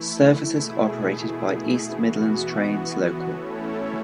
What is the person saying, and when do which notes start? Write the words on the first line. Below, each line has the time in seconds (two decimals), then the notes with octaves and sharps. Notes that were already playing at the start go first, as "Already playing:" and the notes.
Services are operated by East Midlands Trains Local.
Already playing: E3 A3 E4
0.50 B2 A3 E4 G#4
1.88 E3 B3 F#4
3.26 A3 C#4 E4 A4 C#5